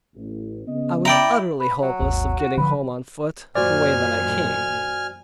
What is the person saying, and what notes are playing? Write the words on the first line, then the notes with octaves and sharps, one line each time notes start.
I was utterly hopeless of getting home on foot, the way that I came.
A1
C#3 B3 D#5
E4 D5 G5 A#5
B4
F#3
G#1 D#2
F#4
D3 F3 B4
F#2 A#2 D#3 F#4 C5 D5 G#5 F6